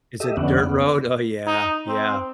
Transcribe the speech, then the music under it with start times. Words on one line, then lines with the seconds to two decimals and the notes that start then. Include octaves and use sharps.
Is it dirt road? Oh, yeah, yeah.
0.20 G4 A4 D#5 E5
0.37 F2 D3 B3 C#4 D5 F#5
0.64 B3
1.47 D#4
1.88 C4